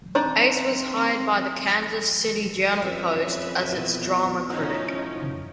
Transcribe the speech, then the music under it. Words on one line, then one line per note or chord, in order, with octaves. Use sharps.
Ace was hired by the "Kansas City Journal-Post" as its drama critic.
C4 D4 D#4 D5
F2 C#4 B4 E5
B2 E3
A2 F3 C#4 D#4 F#4 A#5